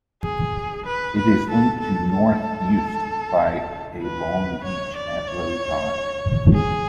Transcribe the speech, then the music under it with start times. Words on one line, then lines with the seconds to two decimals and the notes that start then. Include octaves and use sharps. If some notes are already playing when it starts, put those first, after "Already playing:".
It is linked to North Uist by a long beach at low tide.
0.23 G#4
0.86 B4
1.17 B4
1.50 A4
1.80 A4
2.12 A4
4.02 B4
4.64 C#5
4.96 D5
5.28 C#5
6.53 G#4